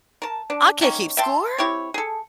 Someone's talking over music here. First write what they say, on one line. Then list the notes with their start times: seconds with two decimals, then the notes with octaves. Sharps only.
I can't keep score.
0.22 A#4 A5
0.50 D4
0.81 D#3 A#3 C#4
1.17 E5 G5 A5 C6
1.58 C4 E4 G4 C#5
1.94 G#4 A4